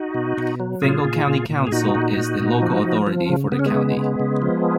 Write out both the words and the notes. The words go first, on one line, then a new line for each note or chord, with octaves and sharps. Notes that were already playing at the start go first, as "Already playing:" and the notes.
Fingal County council is the local authority for the county.
Already playing: D#4 F#4
B2
B2
F#3
A#2 F4 G#4
A#2
A#2
A#2
G#4
A#2 D#4 F#4
A#2
A#2
A#2
F3
F3
F3
C#3
C#3 B3
C#4
G#3 B3
C#3
C#3
C#3
F3